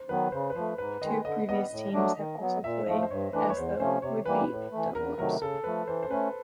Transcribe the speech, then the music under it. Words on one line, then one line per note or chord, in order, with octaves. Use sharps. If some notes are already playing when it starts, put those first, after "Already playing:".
Two previous teams have also played as the Whitby Dunlops.
Already playing: C5
D#3 F#3 B3 B4
C#3 C5
B4
F3 A3 C5
G#2 B4
D#3 G#3 D#5
D3 D#5
G3 B3 D#5
A2
F#3 A3 D4
D#3
F#3 B3
A#2 E5
F3 A3 D#5
C5
G2 C#5
E3 A3 D4 B4
C#5
E2 C5
C3 F3 A3 C#4 C5
C3 C#5
E3 G3 A#3 B4
A2
E3 A3
E2 A#4
C3 D#3 F#3 A3 A#4
C#3 A4
F3 A3 B4
E3 C5
C5
A3 C#4 B4